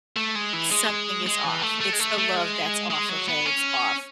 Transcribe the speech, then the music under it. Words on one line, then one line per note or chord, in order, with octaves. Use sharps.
something is off. It's the love that's off, okay, it's off,
A3
G#3
E3
G#3
G#3
E3
A3
A3
G#3
A3
A3
G#3
G#3
F#3
B3
C#4